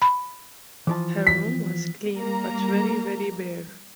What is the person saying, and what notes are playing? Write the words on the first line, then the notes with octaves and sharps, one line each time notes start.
Her room was clean, but very, very bare.
B5
E3 F3 A5
B6
G3 A#3 A#5